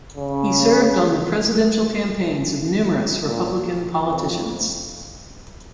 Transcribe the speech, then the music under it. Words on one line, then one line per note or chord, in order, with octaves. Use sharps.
He served on the presidential campaigns of numerous Republican politicians.
C#3
A#2
F2